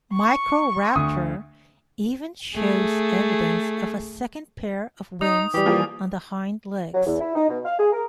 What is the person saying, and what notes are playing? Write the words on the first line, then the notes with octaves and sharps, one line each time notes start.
"Microraptor" even shows evidence of a second pair of wings on the hind legs.
C#6
D2 D#6
A3 G#4
D#4 D#6
E3 G3 G4
F3 A#3 G#4
F#3
E2
E4
D#4
B2
F5
G#4
A#4